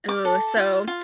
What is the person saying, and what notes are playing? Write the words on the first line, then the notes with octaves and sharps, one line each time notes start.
Ooh, so,
D6
A4
F4
F4